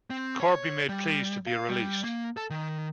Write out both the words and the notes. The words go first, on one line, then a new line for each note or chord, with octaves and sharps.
Corby made pleas to be released.
C4
C#5
G3
F5
G3
A#3
A4
D#3